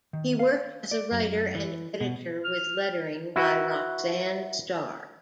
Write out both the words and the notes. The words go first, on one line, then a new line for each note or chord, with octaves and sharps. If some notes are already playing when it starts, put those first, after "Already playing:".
He worked as writer and editor with lettering by Roxanne Starr.
D#3
F5
D5
F#2
E3
B2
F6
E4 F#4 B4